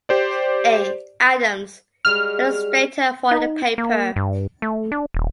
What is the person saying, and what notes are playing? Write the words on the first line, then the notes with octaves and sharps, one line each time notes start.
A. Adams, illustrator for the paper.
G4 C5 D5
G3 G#3 F#4 F6
D#4
A#3
G2
A3
D4
D#1